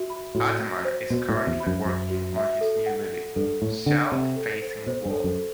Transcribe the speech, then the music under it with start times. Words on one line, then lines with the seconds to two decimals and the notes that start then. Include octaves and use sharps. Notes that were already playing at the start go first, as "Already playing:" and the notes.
Ataman is currently working on his new movie, "South Facing Wall".
Already playing: F#4 E5
0.10 B5
0.35 A2 F#4
0.59 F#4
0.85 C5
1.10 B2 F#4
1.29 A2
1.35 E5
1.47 E2
1.60 B5
1.67 F#2
1.85 F#2 F#4
2.10 F#4
2.36 E5
2.61 A4
2.86 F#5
3.11 A4
3.36 G2 A4
3.61 A2 A4
3.86 D3 F#5
4.12 C3 F#5
4.36 A4
4.62 C5
4.87 B2 C5
5.05 G2
5.11 A4
5.24 F#2
5.37 A4